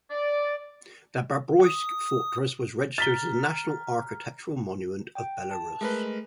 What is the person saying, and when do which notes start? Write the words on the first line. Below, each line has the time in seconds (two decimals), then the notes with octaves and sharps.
The Babruysk Fortress was registered as a national architectural monument of Belarus.
0.11 D5
1.65 D#6
2.98 A#5 F6 A6 B6 G7
5.15 G5
5.51 A5
5.81 G#3 A3 A#4 B4